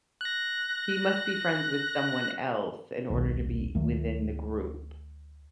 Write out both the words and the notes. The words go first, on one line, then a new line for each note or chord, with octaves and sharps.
he must be friends with someone else in order to be within the group.
F#6 A#6
D#1 B1
D2 D#3 F#3 A3